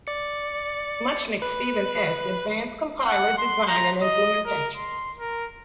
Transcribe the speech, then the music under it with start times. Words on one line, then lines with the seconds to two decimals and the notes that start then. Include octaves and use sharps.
Muchnick, Steven S. "Advanced Compiler Design and Implementation".
0.07 D5 C#7
1.42 B4
3.06 F#5
3.38 C6
3.68 A#5
4.02 D#5
4.46 A#4
4.77 C6
5.19 A#4